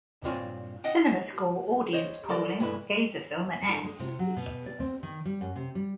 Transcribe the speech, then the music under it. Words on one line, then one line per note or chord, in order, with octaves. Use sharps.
CinemaScore audience polling gave the film an "F".
G2 A#2 C4 F4 C#5 G#5
D#5 F#5 G5
C5 C#5 D#5
F#3 A4 A#4 D5
B1 G2 G#3 A3 E4 B4
G#3
G#3
C3
F#3
B2
D5
C4
D#3
G3
F#2
C3
G3